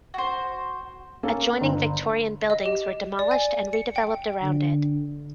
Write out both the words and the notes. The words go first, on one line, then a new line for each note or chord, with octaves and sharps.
Adjoining Victorian buildings were demolished and redeveloped around it.
F#4 C5
A#3 C#4 A4
G1
D#5
G4
D5
G#5
C#7
G5
D3